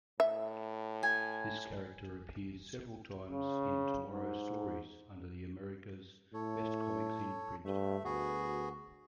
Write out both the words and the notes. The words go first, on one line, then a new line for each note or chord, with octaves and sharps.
This character appeared several times in "Tomorrow Stories" under the America's Best Comics imprint.
A2 E5
G#5
C#3
G#2
A2 A4 C#5
G2 A3 E5
D2 B3 F#4 G#4